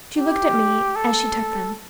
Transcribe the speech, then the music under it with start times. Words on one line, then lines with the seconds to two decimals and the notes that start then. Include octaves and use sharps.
She looked at me as she took them.
0.19 G4
0.95 A4